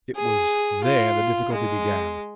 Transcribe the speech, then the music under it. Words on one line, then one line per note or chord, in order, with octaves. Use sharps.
It was there the difficulty began.
G#4
F4
G#3